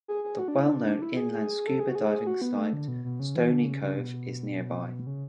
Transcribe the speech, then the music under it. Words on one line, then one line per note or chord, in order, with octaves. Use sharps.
The well-known inland scuba diving site Stoney Cove is nearby.
G#4
G#4
F#4
D4
E4
D4
D4
E4
G#4
G#4
A4
G#4
F#4
G#4
G#4
F#4
B3
A3
D3
B2
B2
C#3
E3
D3
C#3
C#3
B2
C#3